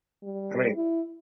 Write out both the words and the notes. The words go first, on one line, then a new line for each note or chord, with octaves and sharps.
I mean,
G3
E4